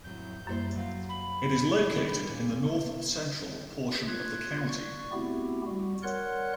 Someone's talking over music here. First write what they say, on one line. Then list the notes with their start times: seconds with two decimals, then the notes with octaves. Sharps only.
It is located in the north central portion of the county.
0.04 F2 A2 F#3 G6
0.47 F#2 G3 A#3 E4 C5
0.76 F#3 F5
1.09 B5
1.92 D#3
2.29 F2 A#2
4.07 F4 F#6 G#6
4.68 D5 C#6
5.12 A3 B3 C4 E4 F#4 G4
5.67 G3 F#4
6.03 A#4 C#5 D5 F#5 C6 F#6